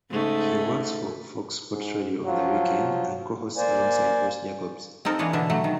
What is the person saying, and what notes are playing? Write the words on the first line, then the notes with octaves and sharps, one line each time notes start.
He works for Fox Sports Radio on the weekend and co-hosts alongside Bruce Jacobs.
G#2 C#3 A3
G#2
F3 F#3 F4
A#3 C5 D5 G#5
C4 D#4 A4 A#4
E3 G#3 A#3 D4 B4 C#5
B2 D3 D4 E5
F#3 A3
D#3